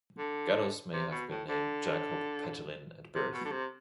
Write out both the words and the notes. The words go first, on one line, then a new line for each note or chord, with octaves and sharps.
Gallus may have been named "Jakob Petelin" at birth.
D3
C3
B2
A2
D3
C3
B2
D3
C3